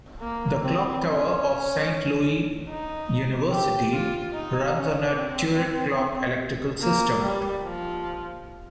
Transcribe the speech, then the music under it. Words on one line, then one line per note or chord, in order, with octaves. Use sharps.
The Clock Tower of Saint Louis University runs on a turret clock electrical system.
A#3
C4
C#4
D#4
G4
F4
D#4
C#4
C4
A#3
G3
F3